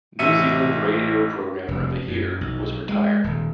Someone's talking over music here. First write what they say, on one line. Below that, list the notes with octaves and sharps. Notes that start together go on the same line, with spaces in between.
'New Zealand Radio Programmer of the Year' was retired.
A1 E5 C#7 D#7
F1
F#2
B1
G#3
D#1